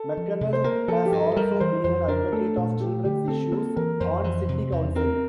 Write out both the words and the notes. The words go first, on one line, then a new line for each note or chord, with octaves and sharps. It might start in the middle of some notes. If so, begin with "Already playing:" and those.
McConnell has also been an advocate of children's issues on city council.
Already playing: A4
F3
C3
C5
A#3 A#4
F3 A4
G4
G2 A4
G3 A#4
E3 C5
F2 C5
D4 A#4
A3 A4
A#2 A4
A3 G4
D3 G4
C4 A4
A#3 A4
E3 A#4
F2 C5
E3
C3
E2
C4 A#4